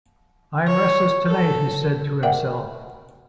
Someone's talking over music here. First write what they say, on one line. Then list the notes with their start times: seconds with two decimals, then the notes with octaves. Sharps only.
"I'm restless tonight," he said to himself.
0.67 C#5
1.26 A4
2.23 A#4 C5 D5 E5 F#5 G5